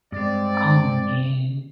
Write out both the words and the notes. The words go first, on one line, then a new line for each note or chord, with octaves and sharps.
Oh, man.
G2 G#3 C4 D5